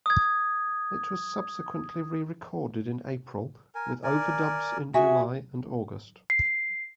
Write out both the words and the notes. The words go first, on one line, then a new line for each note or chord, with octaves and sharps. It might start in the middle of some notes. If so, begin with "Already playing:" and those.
It was subsequently re-recorded in April, with overdubs in July and August.
D#6 G#6
A#4 G#5
A#4 D5 G#5
F#4 G#4 E5 G#5
C7